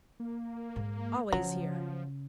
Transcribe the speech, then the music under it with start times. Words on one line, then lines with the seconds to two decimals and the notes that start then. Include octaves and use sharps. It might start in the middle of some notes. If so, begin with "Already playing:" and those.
"Always here!"
0.20 A#3
0.76 G#2
1.33 C#3 F3 F#3